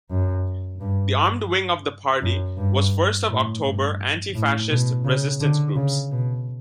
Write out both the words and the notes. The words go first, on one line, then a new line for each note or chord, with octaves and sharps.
The armed wing of the party was First of October Anti-Fascist Resistance Groups.
F#2
G2
F#2
G2
A2
G2
A2
B2
C#3
D3
C#3
B2